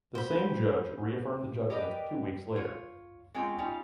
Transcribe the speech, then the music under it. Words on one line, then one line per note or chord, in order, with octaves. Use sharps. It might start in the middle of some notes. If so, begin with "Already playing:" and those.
The same judge reaffirmed the judgment two weeks later.
C5 B5
G4 A#4 B4 D5 D#5 G5
F4 C#5
G#3 C4 C#4 F4 G5
G3 C#4 D#4 F4